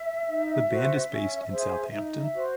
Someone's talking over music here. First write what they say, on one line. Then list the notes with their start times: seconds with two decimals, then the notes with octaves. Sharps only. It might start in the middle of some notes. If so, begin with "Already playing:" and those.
The band is based in Southampton.
Already playing: E5
0.28 D#4
0.69 F#4 C5
1.10 C#4
1.51 G#4 C5
1.92 D#4
2.19 E5
2.34 F#4 C5